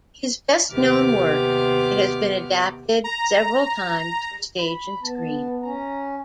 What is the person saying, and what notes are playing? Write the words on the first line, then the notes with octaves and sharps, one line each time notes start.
His best-known work, it has been adapted several times for stage and screen.
D#2 C3 B3 G4 D6 F6
A#5
B5
B3 A5
C#4 A#5